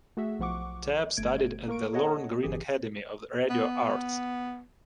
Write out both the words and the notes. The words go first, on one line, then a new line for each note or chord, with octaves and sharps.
Tapp studied at the Lorne Greene Academy of Radio Arts.
A3 F#4 G#4 E5
B1 F3 F#5 C#6 D6
G1 A3 G#6 D7
A#3 A#4 C#6 D7
G#4 A4 C#5 D#5 F#5 A5
G1 E3 G4 G#4
B3